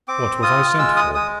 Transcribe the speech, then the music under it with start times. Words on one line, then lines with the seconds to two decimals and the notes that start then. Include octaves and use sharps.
"What was I sent for?"
0.08 C4 D6
0.42 F4 D#6
0.78 G#3 E6
0.96 D#6
1.15 G#3 D#6